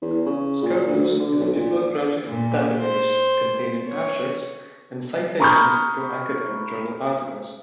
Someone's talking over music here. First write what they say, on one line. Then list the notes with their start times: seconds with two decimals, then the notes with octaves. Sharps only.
Scopus is a bibliographic database containing abstracts and citations for academic journal articles.
0.02 E2
0.26 C#3
0.63 A#2
0.87 D2
1.05 D2
1.20 D3
1.40 B1
1.55 A#2
2.28 A#2
2.78 C5
3.87 C#5
5.40 A#5 B5 C#6 D#6 F6 G6